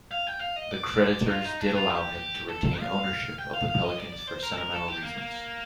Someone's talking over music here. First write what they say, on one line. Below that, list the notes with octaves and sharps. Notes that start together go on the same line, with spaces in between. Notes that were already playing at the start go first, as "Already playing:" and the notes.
The creditors did allow him to retain ownership of the Pelicans for sentimental reasons.
F5
G5
F5
D#5
D5
D#4
F4
D#4
D4
F4
G4
A4
A4
F5
G5
F5
F5
D#5
D5
D5
C5
A#4
A4
A#4
A4
G4
A#3
A#3